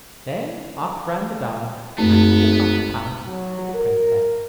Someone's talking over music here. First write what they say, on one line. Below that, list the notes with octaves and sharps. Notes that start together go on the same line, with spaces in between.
Then off ran the dog, back to the copper palace with the Princess.
G#1 F#2 A3 B3
F#3
A#4